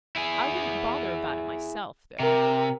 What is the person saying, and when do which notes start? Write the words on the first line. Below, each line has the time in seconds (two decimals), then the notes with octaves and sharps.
I wouldn't bother about it myself, though.
0.16 E4 G#4
2.20 C3 A#4